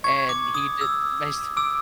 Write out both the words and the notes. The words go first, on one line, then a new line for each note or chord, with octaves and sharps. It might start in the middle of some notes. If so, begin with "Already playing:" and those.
And he did my s
C#6 G#6
D6
D#6
E6
D6 E6